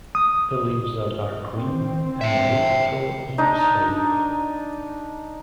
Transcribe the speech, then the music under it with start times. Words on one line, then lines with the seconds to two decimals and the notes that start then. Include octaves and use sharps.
The leaves are dark green and elliptical in shape.
0.15 D#6
1.55 C4
2.21 E5 G5
3.38 D4 D#4